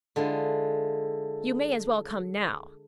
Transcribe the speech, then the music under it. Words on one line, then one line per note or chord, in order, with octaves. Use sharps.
You may as well come now.
D3 G#3 E4 F4